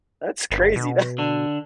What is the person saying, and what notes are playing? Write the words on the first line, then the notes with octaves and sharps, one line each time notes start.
that's crazy. That
G1
B2
D3 D4